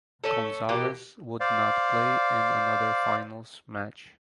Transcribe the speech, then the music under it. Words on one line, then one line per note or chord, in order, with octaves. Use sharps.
Gonzales would not play in another finals match.
A3 C#4 A4
B2 E3 A#3 G4
C5 D5 F5